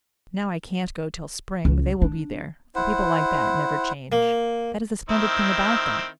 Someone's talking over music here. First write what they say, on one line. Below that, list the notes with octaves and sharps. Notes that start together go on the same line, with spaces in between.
Now I can't go till spring, but they will be there, for people like that never change . . . that is the splendid thing about them.
C#2
D4
E4 C5 F#5
A#3
D#3 C4 E4